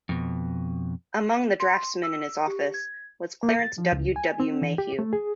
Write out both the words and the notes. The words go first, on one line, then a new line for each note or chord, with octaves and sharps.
Among the draftsmen in his office was Clarence W. W. Mayhew.
F2 B2
C6
E6
G4
G#6
A#3
A6
F3
C#2
G#5
C4
E3
G4
A3
G#4